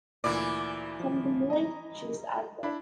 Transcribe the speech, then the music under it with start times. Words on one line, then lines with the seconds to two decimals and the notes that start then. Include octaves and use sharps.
From the "Moving Pictures" album.
0.24 D2 A#2 E3 E4 D5
1.00 F3
1.50 D#5 A#5
2.63 D4 E4 B5